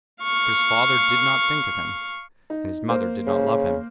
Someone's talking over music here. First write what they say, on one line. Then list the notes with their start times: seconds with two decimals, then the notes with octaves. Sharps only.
But his father did not think of him, and his mother did not love him.
0.23 F5 C#6
2.50 D#4
2.89 A#3 C5
3.27 C#3